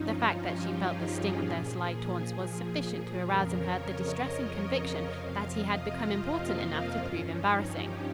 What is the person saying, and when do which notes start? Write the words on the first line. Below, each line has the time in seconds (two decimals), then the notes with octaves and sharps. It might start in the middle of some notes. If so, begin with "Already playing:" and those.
The fact that she felt the sting of their sly taunts was sufficient to arouse in her the distressing conviction that he had become important enough to prove embarrassing.
Already playing: G2 F3 C#4 D#4
0.08 F4
0.40 G4
0.71 G#4
1.02 G4
1.34 A#2 F3 G#4
3.21 F2 C#3 F3 A#4
3.53 C#5
3.84 D#5
4.15 D#5
4.62 D#5
5.09 F2 C3 F3 F5
5.40 D#5
5.72 F4
6.03 C4
6.34 A#3
6.65 C4
6.97 G2 F3 C#4
7.28 D#4
7.60 G4